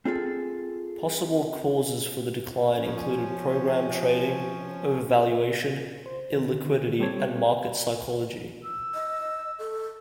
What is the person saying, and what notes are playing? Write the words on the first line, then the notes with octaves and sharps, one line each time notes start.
Possible causes for the decline included program trading, overvaluation, illiquidity and market psychology.
C4 F4 G#4 A4
F3 C#4
C5
D3 D#3
G3 C4 G4 A4 C#5 G#6
E6
D#5
A4